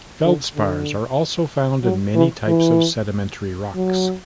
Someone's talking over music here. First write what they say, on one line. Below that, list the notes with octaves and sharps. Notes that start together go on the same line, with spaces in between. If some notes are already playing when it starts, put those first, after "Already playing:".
Feldspars are also found in many types of sedimentary rocks.
D3
D3
F#3
E3
E3
F#3